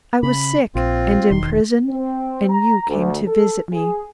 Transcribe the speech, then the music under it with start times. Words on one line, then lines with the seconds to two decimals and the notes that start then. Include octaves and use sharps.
I was sick, and in prison, and you came to visit me!'
0.23 C#3 B5
0.75 A#1 C4 F4
1.31 E1 D#3 C6
1.89 C4
2.49 A#5
2.87 D2
3.27 A4
3.72 G#4